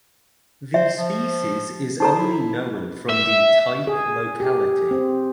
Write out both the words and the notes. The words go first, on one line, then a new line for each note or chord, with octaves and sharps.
The species is only known from the type locality.
C5 E5
F3
D#4 A4 C5 A#5
E4
E5
G#4
G4
C4